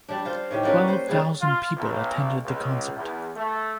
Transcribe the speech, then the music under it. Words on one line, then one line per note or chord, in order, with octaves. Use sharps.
Twelve thousand people attended the concert.
G3 D4
F4 C5
A2 D#3 G4
G3 A#3 C#4 B4
C5
C#3 G3 G#4 B4
F4
B1
C#2
E2
A3